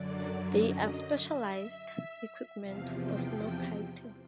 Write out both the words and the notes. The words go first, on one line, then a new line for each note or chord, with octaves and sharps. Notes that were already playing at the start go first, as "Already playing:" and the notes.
There are specialized equipment for snowkiting.
Already playing: F#2 D3 F#3 D5
D#5
E5
E2 C3 F3 F5
G5
G5